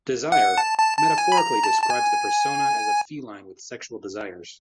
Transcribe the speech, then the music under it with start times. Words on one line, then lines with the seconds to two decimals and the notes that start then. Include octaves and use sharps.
"Desire" metaphorically describes the persona as a feline with sexual desires.
0.32 F#5
0.58 A5
0.78 A5
0.98 A5
1.18 G#5
1.32 B5
1.38 A#5
1.64 A5
1.83 A5
1.90 G#5